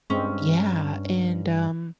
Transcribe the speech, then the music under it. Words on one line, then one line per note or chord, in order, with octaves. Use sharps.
yeah, and, um,
G2 G#3 C4 C#4